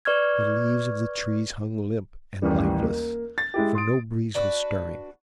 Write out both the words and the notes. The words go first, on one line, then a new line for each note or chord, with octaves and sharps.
The leaves of the trees hung limp and lifeless, for no breeze was stirring.
B4 D5 C#6 F6 G#6
A1 D#2 E3 G3
A#3
A6
G#3 E4 G4
C6 D#6 D7
D4 F#4 B4